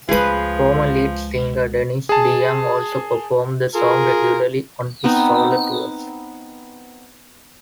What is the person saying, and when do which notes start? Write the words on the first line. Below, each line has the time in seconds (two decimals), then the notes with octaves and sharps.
Former lead singer Dennis DeYoung also performs the song regularly on his solo tours.
0.09 C#2 F3 G#3 G#4 B4
2.09 G#4 A5
3.75 F4 G#4 A#4
5.04 B3 C4 D#4